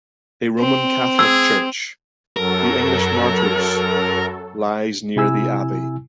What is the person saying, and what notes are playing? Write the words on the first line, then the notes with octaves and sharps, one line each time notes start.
A Roman Catholic church, The English Martyrs, lies near the Abbey.
C4
G#4 E6
F#2 F#3 A4 A#4
C3 E4 G#5 E6